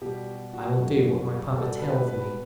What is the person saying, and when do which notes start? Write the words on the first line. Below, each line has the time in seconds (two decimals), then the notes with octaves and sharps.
"I will do what my papa tells me."
0.01 B2 G3 G4
0.27 F#4
0.54 F#4
0.79 F#2 C#3 G3
1.56 B2 G3 A4
1.82 B4
2.08 B4